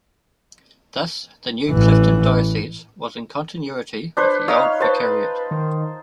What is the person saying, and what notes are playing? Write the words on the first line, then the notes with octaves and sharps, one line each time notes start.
Thus the new Clifton diocese was in continuity with the old vicariate.
A1 E3
D4 B4 C5
D#4 C#5 F5 F6
B4 C5 A5
D#3